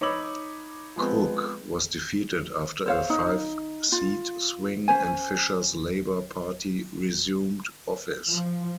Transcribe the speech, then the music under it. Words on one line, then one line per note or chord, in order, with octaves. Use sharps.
Cook was defeated after a five-seat swing, and Fisher's Labor Party resumed office.
D#4 C#5 B5 D6 E6 F#7
F3 G#3 B3 C4
C5 C#5 F5
D#4
F4
C#4 C5 G#5
F3